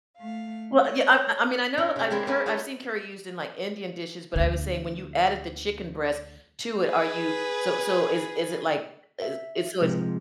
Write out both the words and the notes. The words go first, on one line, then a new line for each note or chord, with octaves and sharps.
Well, yeah, I I mean I know I've curr I've seen curry used in, like, Indian dishes, but I was saying, when you added the chicken breast to it, are you so so is is it like is so it's
A3 F5
C#5
C#4 D4 A#4 C#5 A#5
C3 G4
G#3 A#3 C4 E4 D5
A#3 C#4 E4 A4 B4
D#4 F4 A4 B4 C#5
D2 D3
G#4 B4
E5
C3 F3 G#3